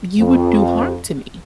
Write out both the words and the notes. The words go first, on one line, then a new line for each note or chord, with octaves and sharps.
you would do harm to me
F2